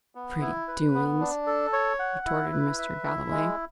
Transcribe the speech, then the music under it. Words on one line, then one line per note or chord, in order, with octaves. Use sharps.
"Pretty doings!" retorted Mr. Galloway.
B3
E4
B4
B3
D4
A4
C#5
F#5
E4
B4
E5
E4
G#3